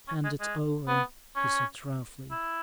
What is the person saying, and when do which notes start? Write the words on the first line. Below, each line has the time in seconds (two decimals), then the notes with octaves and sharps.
"Hand it over," he said roughly.
0.08 C#4
0.24 G#3
0.40 G#3
0.88 B3
1.36 C#4
2.31 E4